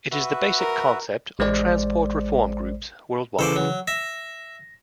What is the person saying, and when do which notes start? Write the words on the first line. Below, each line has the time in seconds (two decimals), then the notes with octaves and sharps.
It is the basic concept of transport reform groups worldwide.
0.12 F#4 B4 E5
0.58 A#4
1.39 A1 G#3 C5 D5
3.39 C#3 E3 A4 C5 D5
3.56 F#3
3.88 E5 A#6